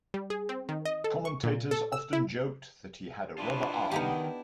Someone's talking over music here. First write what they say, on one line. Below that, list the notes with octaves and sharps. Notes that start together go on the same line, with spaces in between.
Commentators often joked that he had a "rubber arm".
G3
G#4
C4
D#3
D#5
A4
C#6
A#2
A4
E6
E4
D4 E4 F4 B4
D#3 B3 D#4 G4